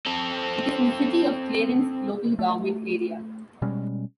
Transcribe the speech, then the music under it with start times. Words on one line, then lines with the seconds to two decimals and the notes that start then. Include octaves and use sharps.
It is in the City of Clarence local government area.
0.06 C4 A4
2.39 A3
3.62 B2 G3 G#3 C#4